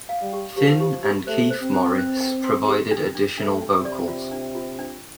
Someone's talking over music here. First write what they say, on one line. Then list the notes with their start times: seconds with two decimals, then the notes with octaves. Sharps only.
Finn and Keith Morris provided additional vocals.
0.09 F5
0.21 G3
0.33 G4
0.57 F3 G4
0.80 G4
1.04 G4
1.27 A3 C5
1.50 C5
1.62 C4
1.73 C5
1.98 C5
2.21 G5
2.44 C6
2.68 G4
2.91 D4
3.15 D4
3.38 A3 D4
3.62 D4
3.73 C3
3.85 D5
4.08 F4
4.31 D4
4.55 F4
4.79 D4